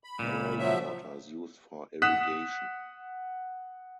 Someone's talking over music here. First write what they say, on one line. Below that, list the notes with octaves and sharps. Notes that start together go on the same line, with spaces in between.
The lake water is used for irrigation.
B5
C#2 A#2
F3 F#3 E5
F#5 D#6 F#6 B6 E7